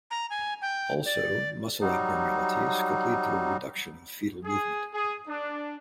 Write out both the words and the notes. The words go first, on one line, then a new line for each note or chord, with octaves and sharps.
Also muscle abnormalities could lead to a reduction of fetal movement.
A#5
G#5
G5
D5
F#3 G3 D#4
G#4
G#4
D4